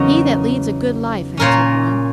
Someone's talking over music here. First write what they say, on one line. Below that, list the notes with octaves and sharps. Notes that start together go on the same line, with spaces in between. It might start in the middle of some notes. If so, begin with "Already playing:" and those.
"He that leads a good life," answered one.
Already playing: E2 C#3 F#3 B3 D#4 A#4 C#5
A#2 A#3 C#4 A#4 C#5